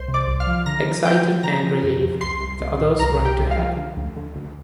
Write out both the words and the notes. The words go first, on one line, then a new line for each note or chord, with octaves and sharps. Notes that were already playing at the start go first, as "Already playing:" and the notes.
Excited and relieved, the others run to her.
Already playing: C2 C5 C6
C3
D5 D6
C2
F5 F6
F3
D3 A#5 A#6
F3
F3 G5 G6
F3
D3 A#5 A#6
F3
F2
F2
C2 C6 C7
C2
C2
A#2
C2 A#4 A#5
C2
G4 G5
C2
F5
F3
D3
D2
D3
D2